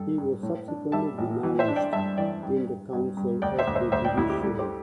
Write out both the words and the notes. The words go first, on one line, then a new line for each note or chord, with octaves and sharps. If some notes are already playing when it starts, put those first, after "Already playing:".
He was subsequently denounced in the Council of the Judiciary.
Already playing: G2 A4
G2
A2
D4
G3 E5 A5
A1
E3
C5 E5
D4
D5 G5
G2 E5 A5
E3 D5 G5
G2
G2
G2
G2
D2 D5 G5
C5 E5
D2
C5 E5
D2 C5 E5
D5 G5
D2 E4
G4
G3 E4 A4
G4 C5